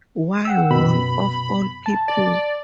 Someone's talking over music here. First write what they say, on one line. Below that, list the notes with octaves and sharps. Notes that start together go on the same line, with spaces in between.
Why Wall, of all people?
F#5 G5 E6
F#2 B2 B5
A5
D5